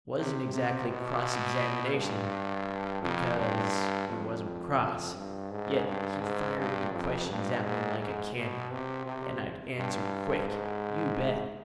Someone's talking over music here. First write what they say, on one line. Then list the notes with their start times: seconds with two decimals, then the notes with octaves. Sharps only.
It wasn't exactly cross-examination, because he wasn't cross, yet he fired the questions at me like a cannon, and I answered quick, you bet.
0.17 C3
0.53 C3
0.88 B2
1.95 G2
3.02 F2
3.37 G2
4.09 F2
5.15 G2
5.51 G#2
5.87 G2
6.22 G#2
6.58 G2
6.93 F2
7.29 G2
7.64 G#2
7.99 G#2
8.36 B2
8.71 C3
9.06 C3
9.78 G2
10.49 G#2